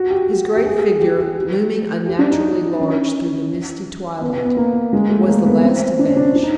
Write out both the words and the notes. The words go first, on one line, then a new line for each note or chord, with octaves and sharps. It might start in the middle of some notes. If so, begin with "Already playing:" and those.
His great figure, looming unnaturally large through the misty twilight, was the last to vanish.
Already playing: F#4
G4
G4
G#4
G4
G4
G4
D4
D#4
C#4
B3
B3
B3
A#3
G#3
A3
A3
A#3
B3
C4
D4
C#4
D4
D4
D#4